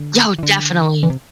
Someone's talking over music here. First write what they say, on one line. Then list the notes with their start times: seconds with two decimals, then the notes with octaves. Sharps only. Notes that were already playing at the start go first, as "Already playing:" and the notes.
Yo, definitely.
Already playing: D3
0.39 E3
0.43 D3
1.03 D3 E3
1.10 C3